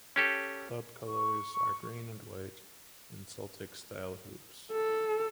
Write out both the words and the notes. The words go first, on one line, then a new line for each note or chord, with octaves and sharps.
Club colours are green and white in Celtic-style hoops.
C#4 G4 A4
C#6
A4